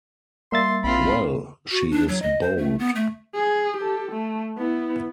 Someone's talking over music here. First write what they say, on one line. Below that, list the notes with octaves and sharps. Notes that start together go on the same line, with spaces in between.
Well, she is bold!
G3 A#3 E5 C6 A6
A#1 C4 F4 B5
F#4
D4
F#3
D#5
C5
A3
B3
A3
G#4
G4 A4
A3
B3 E4